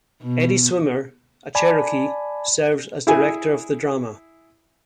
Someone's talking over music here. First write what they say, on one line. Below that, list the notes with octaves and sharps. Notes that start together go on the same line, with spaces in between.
Eddie Swimmer, a Cherokee, serves as director of the drama.
B2
D5 G#5 A5 B5
E4 G#4 G#5